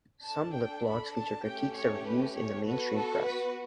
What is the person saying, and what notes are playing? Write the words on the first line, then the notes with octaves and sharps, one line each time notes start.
Some litblogs feature critiques of reviews in the mainstream press.
D4 A4 A5
G5
B5
A5
A3 C#4 G4 G5
C#5
B4
C#5
B3 F#4 A4 B4
A4
B4